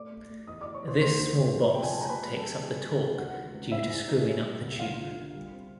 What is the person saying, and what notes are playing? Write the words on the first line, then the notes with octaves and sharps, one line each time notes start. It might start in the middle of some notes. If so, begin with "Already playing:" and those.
This small boss takes up the torque due to screwing up the tube.
Already playing: A3 D5 D6
A3
A3
E2 D#5 D#6
E3 D5 D6
C#5 C#6
E3 C5 C6
D2 C5 C6
D2
D2
F3
C3 G5
G#5
G#3 A5
A#5
A#3 B4 B5
G3
A4 A5
G3
D#3 G#4 G#5
D#3
C3
C#2 F#4 F#5
D#3
C#2
C4 E4 E5
G#3
D#4
A#2
G3
C2
D3 F4 F5
D3
D3
G3
C4